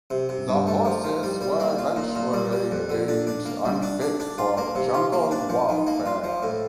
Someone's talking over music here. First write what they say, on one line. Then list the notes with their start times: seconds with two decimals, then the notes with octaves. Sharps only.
The horses were eventually deemed unfit for jungle warfare.
0.10 C3
0.29 C3
0.49 G2
0.67 A3
0.85 F3
1.04 F3
1.23 G3
1.41 G3
1.60 A#3
1.78 F4
1.96 A#2
2.15 A#2
2.33 G3
2.52 G3
2.71 F2
2.90 D3
3.08 D4
3.27 D4
3.45 A#3
3.65 G3
3.83 D4
4.01 D4
4.20 D4
4.38 F4
4.57 A#3
4.75 C3
4.94 F4
5.13 A#3
5.31 D4
5.49 F3
5.69 D#3
5.87 A#3
6.06 F4
6.24 F3
6.43 A2